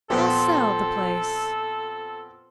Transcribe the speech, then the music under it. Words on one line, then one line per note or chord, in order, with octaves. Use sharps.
"I'll sell the place."
A#2 F3 B3 C4 A4